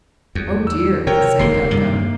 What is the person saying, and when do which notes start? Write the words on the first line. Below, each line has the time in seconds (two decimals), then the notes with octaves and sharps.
"Oh, dear!" said Gub-Gub.
0.35 E2
0.67 E6
1.07 C3 A#4 C#5 G5
1.39 E1 C3 D#3 A#3 C7
1.71 G2 D#3